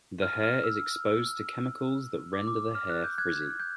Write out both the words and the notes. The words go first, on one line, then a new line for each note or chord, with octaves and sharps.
The hair is exposed to chemicals that render the hair frizzy.
F6
F6
E6
E6
D6
D6
F6
F#6
G6
F#6 G#6
G6